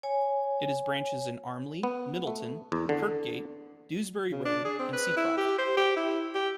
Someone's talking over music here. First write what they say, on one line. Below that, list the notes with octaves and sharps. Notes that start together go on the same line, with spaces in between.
It has branches in Armley, Middleton, Kirkgate, Dewsbury Road and Seacroft.
C#5 G#5
B3
A3
E2
D3
C#3
D4
G#4
C4
B4
E4
G4
C5
G4
E4
G4